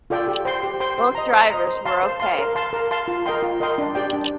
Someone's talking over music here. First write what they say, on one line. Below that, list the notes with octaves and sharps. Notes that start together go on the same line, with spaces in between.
Both drivers were okay.
F4 A4 D5 G5
G4
C5 G5 C6
G4
C5 G5 C6
C5
D#5 A#5
C5
D#5 A#5
C5
F5 A5 C6
C5
F5 A5 C6
A#4
F5 A5 C6
A#4
F5 A5 C6
F4
A#4 D#5 G5 C6
F4
A#4 D#5 G5 C6
D4
G4 D5 G5
D4